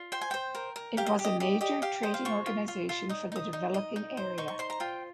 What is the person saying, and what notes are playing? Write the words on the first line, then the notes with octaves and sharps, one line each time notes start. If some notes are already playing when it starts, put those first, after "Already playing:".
It was a major trading organization for the developing area.
Already playing: F4
C5 G5
G#5
C5 G5
A#4
A#4
G4 F5
D#5
G4
D#5
G4 D#5
G4 D#5
G4 F5
C5 D#5
F5
F4 C#6
F4
F4
F4
D#4 D#6
D#4 D#6
D#4
D#5
D#4
C5
D#4 C#6
C#6
C5 C6
A#5
F4 G5